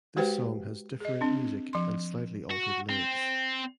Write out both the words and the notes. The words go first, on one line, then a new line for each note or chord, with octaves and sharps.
This song has different music and slightly altered lyrics.
G#3 F#4 G4 B4 C5 G5
G#4 D#5
C4 D4
F3 C6
F#4
C4